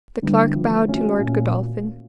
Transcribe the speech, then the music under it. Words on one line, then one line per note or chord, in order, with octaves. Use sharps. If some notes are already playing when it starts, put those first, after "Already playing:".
The Clerk bowed to Lord Godolphin.
D3 G3 B3 E4
F3
A3 C#4 F#4
A#2